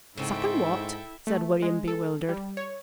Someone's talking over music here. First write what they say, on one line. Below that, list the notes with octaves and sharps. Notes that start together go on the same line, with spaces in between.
"Suckin' wot?" said William, bewildered.
G#2 C#3 C4 E4 A4 E5 G5
A3
G#3
A4
G3
C#5